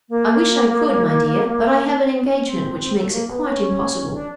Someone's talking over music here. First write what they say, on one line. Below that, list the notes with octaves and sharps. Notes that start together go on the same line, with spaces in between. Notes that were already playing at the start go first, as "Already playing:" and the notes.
"I wish I could, my dear, but I have an engagement, which makes it quite impossible."
A#3
C4
C4
A3
A#3
B3
C#4
D4